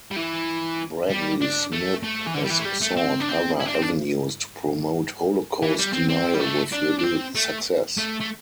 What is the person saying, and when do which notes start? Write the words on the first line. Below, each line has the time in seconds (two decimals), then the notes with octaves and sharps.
Bradley Smith has sought other avenues to promote Holocaust denial - with little success.
0.11 G3
0.16 E3
1.10 G3
1.41 D4
1.72 A3
2.03 A3
2.27 E3
2.35 D3
2.45 G3
2.51 E3
2.60 A3
2.66 G3
2.82 A3
2.97 C4
3.21 D4
3.29 C4
3.60 E4
3.67 D4
3.74 C4
3.82 D4
5.63 E3
5.79 G3
5.94 C4
6.09 C4
6.35 G3
6.41 A3
6.73 D4
6.99 D4
7.04 C4
7.35 A3
7.97 A3
8.20 A3